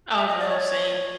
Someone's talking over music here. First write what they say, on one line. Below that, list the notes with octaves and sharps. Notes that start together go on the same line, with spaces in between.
Oh, no. Same.
E5
D#5
D5
C#5